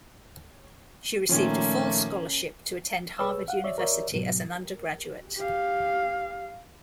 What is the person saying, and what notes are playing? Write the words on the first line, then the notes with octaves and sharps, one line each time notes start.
She received a full scholarship to attend Harvard University as an undergraduate.
A#2 D#3 F3 A3 A#3 C#4
C2 G#4 B4 C#5 E6
F5 F#5
C#5 D5 E5
A#4 C#5 D5 E5
G#2 B2 F#3
G4 F5